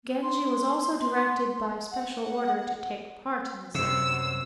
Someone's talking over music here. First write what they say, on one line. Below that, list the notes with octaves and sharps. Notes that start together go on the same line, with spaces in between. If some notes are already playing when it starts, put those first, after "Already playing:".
Genji was also directed by special order to take part in the ceremony.
C6
F#5
F#2 C3 E6